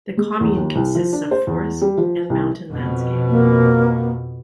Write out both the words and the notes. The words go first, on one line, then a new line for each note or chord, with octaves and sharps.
The commune consists of forest and mountain landscape.
G#3
E2
D#2
C2
F3
D4
C5
E2
G3
F3
C2
F2 B2
A#3